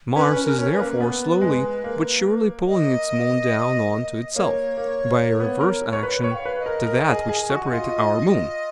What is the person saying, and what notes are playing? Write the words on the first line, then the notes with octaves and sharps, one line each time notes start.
Mars is therefore slowly but surely pulling its moon down on to itself, by a reverse action to that which separated our moon.
C#4 B4
C#4
A#4
C#4 C#5
B4
A#3
B3 B4
G#3
A#3
D#5
A#3 C#5
A#3
A#3
B3
A#4
C#5
B4
C#5
G5
F5
B4
D#5
A#4
A#4
G#4
G#4
F#4
F4 D#5